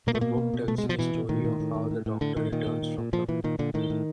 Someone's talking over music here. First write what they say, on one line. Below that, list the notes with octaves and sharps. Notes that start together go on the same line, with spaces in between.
The book tells the story of how the Doctor returns from the moon.
B2 A#3
A3
B2 A#3
B2
B2
B2 A3
G#3
B2
F3
B2 E3
B2
A2 D#3
A2
A2
A2
A2
A2
A2 D3
A2 D#3
A#2 D#3
A#2
A#2
A#2
A#2 F3
A#2 E3
A#2 D#3
A#2 D3
A2 D#3
A2